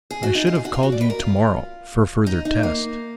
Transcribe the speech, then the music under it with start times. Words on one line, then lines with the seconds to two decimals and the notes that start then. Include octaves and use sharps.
I should have called you to-morrow, for further test.
0.11 G#4
0.23 F#4
0.35 D#4
0.47 F4
0.55 G#4
0.65 F#4
0.74 F4
0.83 F#4
0.92 D5
1.01 B4
1.10 A#4
1.19 F4
2.27 D#4
2.45 D#4
2.63 A#3